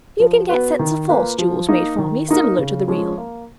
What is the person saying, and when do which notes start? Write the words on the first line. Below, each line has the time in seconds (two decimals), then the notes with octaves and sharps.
You can get sets of false jewels made for me, similar to the real.
0.20 F3
0.49 B3 F#4 B4
0.79 D#3
1.09 A#3 F4 B4
1.38 F3
1.69 A#3 D#4
1.99 D#3
2.28 A#3 D#4 A#4
2.58 C#3
2.88 F3 G#3 C#4
3.18 A#3